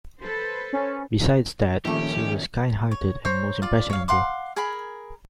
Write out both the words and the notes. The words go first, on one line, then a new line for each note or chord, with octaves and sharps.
Besides that, she was kind-hearted and most impressionable.
A4 B4 C5
C#4
A#1 D#3 G3 A3 C#4 G4
C#5
C5 C#5 A#5
F4 D5
C#5 F5
F5 F#5 C6 D6
G#4 A#4 G#5 B5